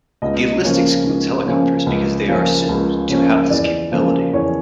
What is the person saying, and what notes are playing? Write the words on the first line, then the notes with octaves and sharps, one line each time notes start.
The list excludes helicopters because they are assumed to have this capability.
C#2 D#5
C#3 F3 A#3 C#4
C#2
C#3 F3 A#3 C#4
C#2
C#3 F3 A#3 C#4
C#2
C#3 F3 A#3 C#4
E2 D5
C#3 F3 A#3
E2 C#5